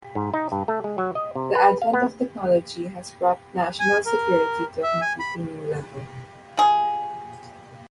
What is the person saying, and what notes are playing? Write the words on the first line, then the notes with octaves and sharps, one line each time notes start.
The advent of technology has brought national security to a completely new level.
G#2
D#4
G2
A3
G#3
F#3
D#5
C3
B4
F5
B3
G#5
A#4
E5
G#5
B5
F3 G#4